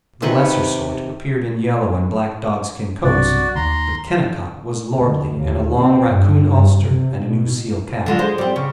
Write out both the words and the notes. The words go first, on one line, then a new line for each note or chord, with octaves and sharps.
The lesser sort appeared in yellow and black dogskin coats, but Kennicott was lordly in a long raccoon ulster and a new seal cap.
C3 D#3 B4 C#6
B1 G2 C3 F#4 D5
D#2 A#5 C6
D2
D#2
C4
G2
G2
C3
B2
D3 G#3 F4
G#3 C5
G3 C4
C#3